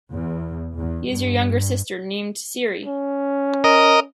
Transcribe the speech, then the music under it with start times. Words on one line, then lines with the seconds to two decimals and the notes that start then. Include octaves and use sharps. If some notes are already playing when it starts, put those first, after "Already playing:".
He has a younger sister named Ciri.
0.12 E2
0.77 E2
1.09 G2
2.86 C#4
3.64 A#4 D#5